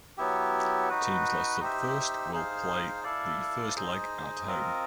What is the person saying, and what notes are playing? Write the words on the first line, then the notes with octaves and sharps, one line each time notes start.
Teams listed first will play the first leg at home.
F#3 B3 E4 G4
D#4 F#4 B4
D#4 G4 C5 E5
D#4 G#4 C5 F5
E4 A4 D5 F5
D#4 G#4 C5 D#5
C4 F4 A#4 D#5